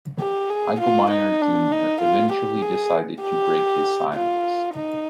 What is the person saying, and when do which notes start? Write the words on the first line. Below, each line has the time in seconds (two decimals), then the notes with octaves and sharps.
Hilgemeier Junior eventually decided to break his silence.
0.20 G4
0.50 G#4
0.81 F4
1.11 D#4
1.41 D4
1.72 D#4
2.01 F4
2.32 G4
2.62 G#4
3.22 G4
4.14 F4
4.75 D#4